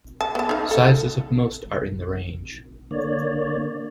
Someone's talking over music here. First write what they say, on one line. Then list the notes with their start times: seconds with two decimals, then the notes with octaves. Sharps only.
Sizes of most are in the range.
0.21 A5
0.35 B3 A5
0.49 D#4 F5
0.71 A4
2.91 D3 A#3 C#5 D5